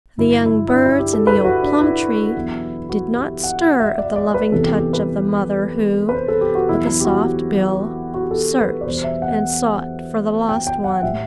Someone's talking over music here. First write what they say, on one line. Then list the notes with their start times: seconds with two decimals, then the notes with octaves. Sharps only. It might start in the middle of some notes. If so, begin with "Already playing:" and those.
The young birds in the old plum-tree did not stir at the loving touch of the mother who, with a soft bill, searched and sought for the lost one.
0.18 G2 D3 F#3 E4
0.46 E4
0.68 E4
0.72 D4
0.86 E4
0.99 G4
1.13 A4
1.27 B4
1.44 F#4
1.63 D4
1.81 E4
2.35 E2 B2 F#3
2.89 F#4
3.16 G4
3.43 F#5
3.80 E5
3.98 D5
4.16 D5
4.34 B4
4.52 E2 C3 E3 G3 A4
4.66 G4
4.78 G4
4.93 B4
6.09 B4
6.15 C5
6.28 A4
6.41 G4
6.55 F#4
6.69 E2 B2 F#3 E4
6.87 E4
7.00 G4
7.05 F#4
8.14 F#4
8.23 G4
8.31 A4
8.59 B4
8.81 D5
8.85 E2 B2 G3 C5
9.04 E5
9.22 F#5
10.49 G5
10.67 G5
10.84 F#5
11.03 A2 G3 E5